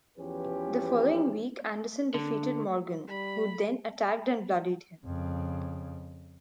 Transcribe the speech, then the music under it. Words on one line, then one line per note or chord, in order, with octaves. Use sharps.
The following week Anderson defeated Morgan, who then attacked and bloodied him.
E2 E3 F3 C#4 G4 B4
D3
G3 B5
F2 C#3